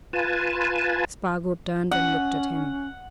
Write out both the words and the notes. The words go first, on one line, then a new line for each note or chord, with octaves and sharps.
Spargo turned and looked at him.
F4 B4 G#5 A5
C#4 F#5